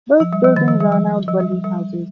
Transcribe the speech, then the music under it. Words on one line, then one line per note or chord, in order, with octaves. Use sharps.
Both buildings are now dwelling houses.
F3
G3
F3
D#3
F3
G3
F3
F3
G3
F3
G3